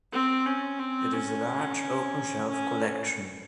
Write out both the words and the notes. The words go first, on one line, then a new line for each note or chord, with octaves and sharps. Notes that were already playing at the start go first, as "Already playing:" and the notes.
It is a large "open shelf" collection.
C4
C#4
C4
C#4
C#4